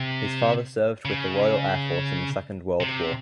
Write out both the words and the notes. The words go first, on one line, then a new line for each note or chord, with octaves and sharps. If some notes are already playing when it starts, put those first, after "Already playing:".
His father served with the Royal Air Force in the Second World War.
Already playing: C3
C#3
C3